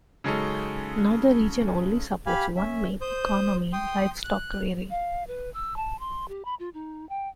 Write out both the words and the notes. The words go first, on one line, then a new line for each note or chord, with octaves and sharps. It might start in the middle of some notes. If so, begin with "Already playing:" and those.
Now the region only supports one main economy, livestock rearing.
C#3 F#3 G#3 C#4 D#4 A4
G4 F5 G#5 B5
C#4 E5
C5 D#6 G6
G5 C6 D#6
F#6
F5
B4
E6
A5
C6
G4
B5
F4
D#4
G5